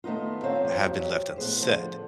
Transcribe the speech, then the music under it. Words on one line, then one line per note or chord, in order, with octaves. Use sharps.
have been left unsaid.
D#3 A3 B3 D#4 F4
C4 C5 C#5 F5
G2 F3
F2 F#3 G4
A2 B3 G#4 C5
D3 F3